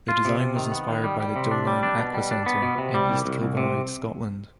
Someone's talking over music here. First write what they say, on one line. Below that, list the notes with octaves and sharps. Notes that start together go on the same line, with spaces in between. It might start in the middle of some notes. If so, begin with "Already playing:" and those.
The design was inspired by the Dollan Aqua Centre in East Kilbride, Scotland.
F4
C3
C3
D#3
B3
D#3
G3
G3
C3
D4
G3
D4
B2
G3
D4
B3
B2
C3
G3
C2
C2
C2
C3